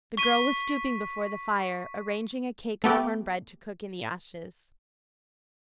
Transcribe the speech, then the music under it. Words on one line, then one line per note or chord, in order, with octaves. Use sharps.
The girl was stooping before the fire, arranging a cake of corn-bread to cook in the ashes.
C#6 B6 D#7
A3 B3 G4